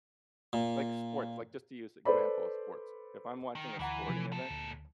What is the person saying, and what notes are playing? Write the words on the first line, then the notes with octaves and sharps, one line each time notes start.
like, sports, like, just to use an example of sports- if I'm watching a sporting event,
A#2
A4 B4 C5 D5 B5
D#3
D2 E3 F#5 A#5
C3 F3
A#2 A4
D2